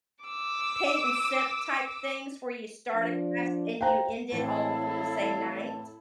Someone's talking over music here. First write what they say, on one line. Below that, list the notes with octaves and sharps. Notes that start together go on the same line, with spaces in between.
paint and sip-type things where you start a class and you end it all in the same night,
D6 E6
F3 D4
C5 F5 G5 A#5
A2 E3 C4 E4 A4 C#5 F5 A5